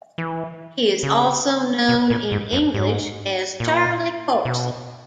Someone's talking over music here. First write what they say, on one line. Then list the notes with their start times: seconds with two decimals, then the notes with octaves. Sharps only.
He is also known in English as "Charlie Corsey".
0.18 E3
1.03 C#3
1.89 B2
2.10 A#2
2.32 G#2
2.53 F#2
2.74 G#2
3.60 A#2
4.45 B2